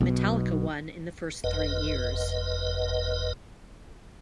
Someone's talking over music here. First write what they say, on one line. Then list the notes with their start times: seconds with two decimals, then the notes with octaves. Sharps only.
Metallica won in the first three years.
0.01 B1 B2
1.44 F#1 F2 B4 D#5